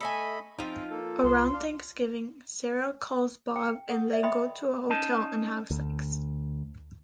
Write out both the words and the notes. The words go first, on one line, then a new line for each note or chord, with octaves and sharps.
Around Thanksgiving Sarah calls Bob and they go to a hotel and have sex.
A3 A4 D#5 E5 G#5 B5
F3 C4 D#4 F4
A#3 A4
C2 C6
D4 F5
G5
A4 F#5 D#6
D5 E5
D#5 E5 G5 B5 C6 D#6
C#4 D#4 D#5 A5
D2